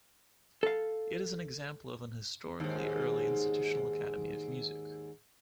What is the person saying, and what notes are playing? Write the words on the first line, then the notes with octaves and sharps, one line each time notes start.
It is an example of an historically early institutional academy of music.
A4 F5
D#2 G#2